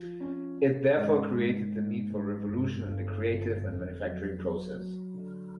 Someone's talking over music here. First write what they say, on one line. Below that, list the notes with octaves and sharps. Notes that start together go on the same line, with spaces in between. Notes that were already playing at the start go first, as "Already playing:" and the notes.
It therefore created the need for a revolution in the creative and manufacturing process.
Already playing: F3
C#4
C#4
G#2
G#2
G#2
G#2
G1
G1
D3
F2
F#3
F#3
F#3
D3